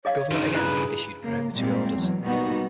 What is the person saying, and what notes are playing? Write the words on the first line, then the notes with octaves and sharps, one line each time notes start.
Government again issued prohibitory orders.
G#4 C#5 D#5 F5
G2 C#3 D#4 F#4
E4 G#4 B4 D#5
C#3 A#3
A#2 G3 G#3 C4
E2 F#3
B2 G3 A#3 B3 D#4 F#4